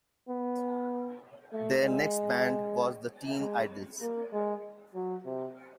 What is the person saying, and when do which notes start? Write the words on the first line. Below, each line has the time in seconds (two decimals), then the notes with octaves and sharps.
Their next band was The Teen Idles.
0.28 B3
1.52 A3
1.84 G#3
3.39 G#3
4.01 A#3
4.32 G#3
4.95 F#3
5.25 C3